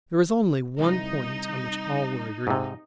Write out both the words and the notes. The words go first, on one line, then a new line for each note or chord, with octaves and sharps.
There was only one point on which all were agreed.
C2 D#4
G#2 C3